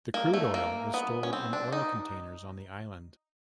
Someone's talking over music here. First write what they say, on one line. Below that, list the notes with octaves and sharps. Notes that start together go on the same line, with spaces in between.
The crude oil is stored in oil containers on the island.
A#3
A3
A#3
B3
C#4
C4
D4
D#4